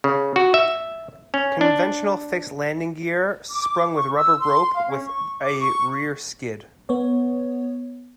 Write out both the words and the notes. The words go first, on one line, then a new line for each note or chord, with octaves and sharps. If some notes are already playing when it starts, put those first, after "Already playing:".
Conventional fixed landing gear, sprung with a rubber rope, with a rear skid.
C#3
F#4
E5
C#4
D4
D6
C#6
E6
C6
F5
C#4
C#6
D6
C#6
B3 C#5